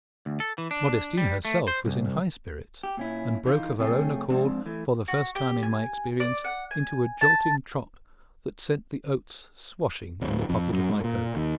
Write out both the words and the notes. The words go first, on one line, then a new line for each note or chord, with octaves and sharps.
Modestine herself was in high spirits, and broke of her own accord, for the first time in my experience, into a jolting trot that sent the oats swashing in the pocket of my coat.
D2
A4
E3
D4
G3
A3
C5
C2
G4
A#2 C#4 E4
E3 D#4 F4
F2 C3 A3 G#4 C#5 G5
G#2 F3 C4 D4
E3 A3
F#4
G4
G#5
D5
F#5
G#5
A5
D1
F2
F#2
G#2
A#2
D#2